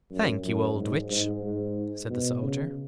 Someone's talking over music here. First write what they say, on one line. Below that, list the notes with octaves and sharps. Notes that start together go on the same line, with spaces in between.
"Thank you, old witch," said the soldier.
F#2
F#2
G#2
G#2
G#2
B2
C#3